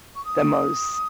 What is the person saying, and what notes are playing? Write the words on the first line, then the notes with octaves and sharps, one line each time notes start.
the most
C#6
D#6